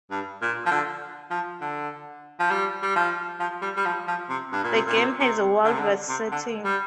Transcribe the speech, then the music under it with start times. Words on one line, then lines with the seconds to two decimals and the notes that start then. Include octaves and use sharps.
The game has a Wild West setting.
0.11 G2
0.42 A#2
0.66 F3
0.71 D3
1.30 F3
1.61 D3
2.40 F3
2.51 G3
2.83 G3
2.96 F3
3.40 F3
3.62 G3
3.77 G3
3.85 F3
4.08 F3
4.30 C3
4.53 G2
4.64 A#2
4.75 C3
4.87 A#2
4.97 C3
5.20 C3
5.64 D3
5.73 C3
5.80 D3
6.09 C3
6.32 D3
6.65 G3